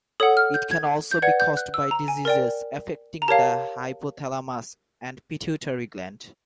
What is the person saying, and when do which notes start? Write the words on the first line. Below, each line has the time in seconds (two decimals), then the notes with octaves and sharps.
It can also be caused by diseases affecting the hypothalamus and pituitary gland.
0.20 A4 C#5 F#5 D#6
0.37 F6
0.54 G6
0.71 G#6
1.11 G6
1.22 B4 D5 F#5 G#6
1.40 G6
1.57 F#6
1.74 E6
1.91 A#5
2.08 G#5
2.25 A#4 D5 G5
3.22 A#5
3.28 G4 A#4 C#5 F5 A5